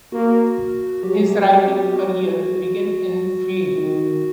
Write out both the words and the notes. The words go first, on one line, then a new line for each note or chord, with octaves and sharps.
His writing career began in film.
A#3 F#4
F#3 G4
F#4
D#3